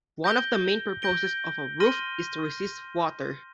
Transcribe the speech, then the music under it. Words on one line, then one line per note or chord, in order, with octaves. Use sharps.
One of the main purposes of a roof is to resist water.
G6 A#6 D7 G7
G6 A#6 D7 G7
C6 F6 A#6 D#7 G7